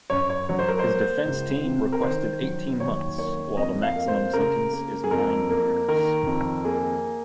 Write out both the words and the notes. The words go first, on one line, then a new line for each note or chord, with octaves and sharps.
His defense team requested eighteen months, while the maximum sentence is nine years.
F#2 C#5
C#5
F#3 C#5
C5
A#4
C5
A#3
C#2
C3
A#4
D#3 C5
F#3
D#2 C#5
A#3 C#5
F2 D#5
F5
A#3
C5
C#3 A#4
A#3
G#4
F2 A#4
A#3
D#3 A#4
F2
A#3 G#4